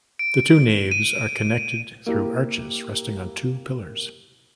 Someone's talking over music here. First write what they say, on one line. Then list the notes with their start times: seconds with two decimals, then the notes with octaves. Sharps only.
The two naves are connected through arches rested on two pillars.
0.19 D7
0.91 D#7
2.06 A#3 E4 G4